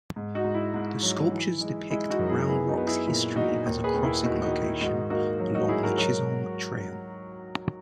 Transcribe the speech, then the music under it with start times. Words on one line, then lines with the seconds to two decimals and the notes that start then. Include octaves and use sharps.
The sculptures depict Round Rock's history as a crossing location along the Chisholm Trail.
0.16 G#2
0.35 D#4 F#4
0.44 G#2
0.54 E4
0.74 G#2
1.03 F#3
1.32 E3
1.61 G#3
1.90 G#3 E4
2.10 D#4 F#4
2.19 F#2
2.29 E4 G#4
2.48 B3 E4 G#4
2.67 D#4 F#4
2.77 B3
2.87 E4 G#4
3.07 A#2 E4
3.35 A#2 D#4 F#4
3.66 D#2
3.84 G#4 B4
3.94 D#2
4.04 E4 G#4
4.23 D#2 D#4 F#4
4.42 D#4 F#4
4.52 D#3
4.62 E4
4.81 G#2 D#4 F#4
5.10 A#3 D#4 F#4
5.40 F#3
5.54 D#4 F#4
5.68 G#2 E4 G#4
5.83 F#4 A#4
5.98 F#3 F#4 A#4